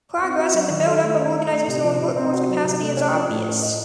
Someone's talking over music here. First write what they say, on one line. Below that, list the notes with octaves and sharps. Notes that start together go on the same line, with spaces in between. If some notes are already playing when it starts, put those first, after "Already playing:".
Progress in the build-up of organizational and workforce capacity is obvious.
C4
F#4
F#3
D#3
A4
A3
C#4
A3
A3
C3
F3
C3
C4
F#4
F#3
C3
A3
C#4
F3
A2
A#4
D#5